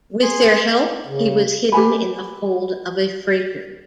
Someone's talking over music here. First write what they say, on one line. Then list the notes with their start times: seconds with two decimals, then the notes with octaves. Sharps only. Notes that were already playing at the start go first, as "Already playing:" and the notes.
With their help he was hidden in the hold of a freighter.
0.22 G#4 C6
1.07 C#3
1.72 G4 B4 G#5 B5